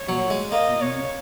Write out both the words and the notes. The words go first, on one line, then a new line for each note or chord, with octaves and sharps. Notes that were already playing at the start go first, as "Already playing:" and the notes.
and do
Already playing: C#5
F#3
G#3
A#3 D#5
C#5